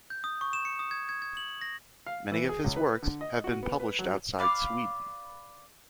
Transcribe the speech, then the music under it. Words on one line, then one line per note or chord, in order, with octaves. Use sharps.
Many of his works have been published outside Sweden.
G6
D#6
C#6
E7
C#7
D#6
G#6
G#6
G#6
F#7
A#6
F5
E3
G#4
C#2
B4
D3
D#5
F#4
B3
B4
F#3
B4 D5 F5